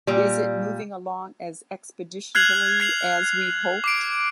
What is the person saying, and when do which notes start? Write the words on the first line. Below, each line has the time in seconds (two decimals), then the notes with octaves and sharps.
Is it moving along as expeditiously as we hoped?
0.07 A#2 G3
2.35 F6 F#6 G#6 C7 F7 F#7
2.80 G#6 C7 F7 F#7
3.84 D6 C7 D7